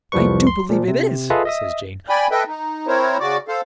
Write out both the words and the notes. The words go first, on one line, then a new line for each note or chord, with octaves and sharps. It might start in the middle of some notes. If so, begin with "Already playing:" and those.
"I do believe it is," says Jane.
C2 F2 F3 G3 B4 C#6
C6
A#2 F3
C3
F4 G#4 A4 B4 D#5 E5
D#5 E5 D#6
D5 G5 G#5 B5
A4 B4 D#5 E5 G5
D#4
C4 E4 A#4 C5 C#5
C#3 F#4 D5 D6
A4 C5 F5